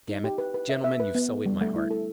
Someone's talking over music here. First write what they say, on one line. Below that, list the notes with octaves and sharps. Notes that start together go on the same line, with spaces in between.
Damn it!... Gentlemen, you've sullied my heart!
D#4
G4
B4
B4
E5
E5
B4
B3
A4
G3
A3
E4
A4